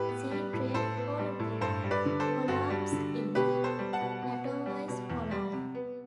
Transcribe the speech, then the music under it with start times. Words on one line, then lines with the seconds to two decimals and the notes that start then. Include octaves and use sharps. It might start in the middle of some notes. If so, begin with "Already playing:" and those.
See Trade hall roof collapse in Katowice, Poland.
Already playing: A2 G4 B4
0.09 B3
0.31 G3
0.53 A2
0.74 A2 A4 C5
0.97 B3
1.19 G3
1.39 A2
1.61 G2 A4 C5
1.83 G3
1.91 B4 D5
2.06 D3
2.20 A4 C5
2.27 B3
2.48 G2 F#4 A4
2.70 G3
2.92 D3
3.14 B3
3.35 B2 G4 B4
3.57 B3
3.64 A4 C5
3.79 G3
3.93 F#5 A5
4.01 B2
4.22 B2
4.45 B3
4.66 G3
4.88 B2
5.09 E2
5.31 G3
5.53 C3
5.75 B3